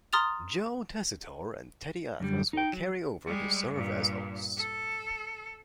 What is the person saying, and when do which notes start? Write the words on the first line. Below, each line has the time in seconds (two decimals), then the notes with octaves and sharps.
Joe Tessitore and Teddy Atlas will carry over to serve as hosts.
0.13 A#5 C6 D#6 F6 A6 F7
2.20 F#2 D3 G3
2.53 D#4 G5
2.73 F#3
3.27 G3 G#3
3.73 G2 A#2
4.58 A4